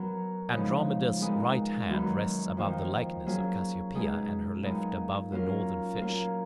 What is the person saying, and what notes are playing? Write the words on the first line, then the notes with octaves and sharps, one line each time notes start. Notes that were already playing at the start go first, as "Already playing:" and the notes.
Andromeda's right hand rests above the likeness of Cassiopea, and her left above the Northern Fish.
Already playing: F#3 B3 F#4 A#4
C#3 F3 G#3 B3 D#4
A#2 G#3 B3 D#4
F#2 D#3 F#3 B3
F2 D#3 A#3
F#3 A#3 C#4 G#4
B2 G#3 D#4 G#4
A#2 F#3 B3 D#4
F#3 A#3 C#4 F4 A#4
F#3 A#3 F4 A#4